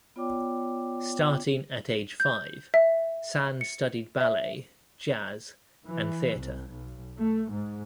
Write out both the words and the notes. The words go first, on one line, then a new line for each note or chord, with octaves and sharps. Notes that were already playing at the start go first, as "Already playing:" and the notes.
Starting at age five, Sand studied ballet, jazz and theatre.
B3 F4 C#5 D5 G5 D6
G6
E5
C#7
E5
E3
C2
B1
A3
G#2